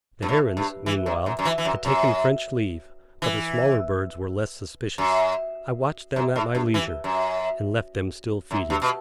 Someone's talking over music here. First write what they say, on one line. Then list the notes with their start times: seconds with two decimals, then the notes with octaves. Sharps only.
The herons, meanwhile, had taken French leave, but the smaller birds were less suspicious; I watched them at my leisure, and left them still feeding.
0.22 G2
0.29 A2
0.57 G2
0.86 E3
1.06 F#2
1.26 F#2
1.39 F#2
1.45 E3
1.58 E3
1.65 F#2
1.85 F#2
3.22 E3
4.98 F#2
6.16 F#2
6.36 A2
6.55 G2
6.74 E3
7.04 F#2
8.51 F#2
8.70 G2
8.82 B2